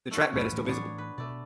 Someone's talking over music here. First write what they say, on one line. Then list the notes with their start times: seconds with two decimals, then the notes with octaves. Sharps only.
The trackbed is still visible.
0.11 A3 F4 F#4
0.33 B1 F#2 A2 C#4 B4
0.51 A2 E3
0.67 B3 D4 C#5
0.98 B4
1.18 B2 A3 D5